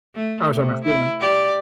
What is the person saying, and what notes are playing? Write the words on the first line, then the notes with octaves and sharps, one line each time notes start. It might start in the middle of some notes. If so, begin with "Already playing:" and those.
I lose all my freedom,
A3
C3
E4
G4 D5